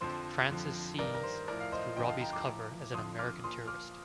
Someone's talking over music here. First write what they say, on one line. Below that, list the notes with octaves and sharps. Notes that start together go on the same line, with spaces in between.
Frances sees through Robie's cover as an American tourist.
F2 D3 F3 C5
F2 D3 F3
G2 D#3 A#4 D5
A#4
C5
A2 F3 A#4 D5
F5
C5 D#5
G2 D3 F3 D#5 G5
F5 A5
G5 A#5
A#5 D6
A2 F3
F2 D3 F3 C6 D#6
D6 F6
A#2 F3 C6 D#6
D6 F6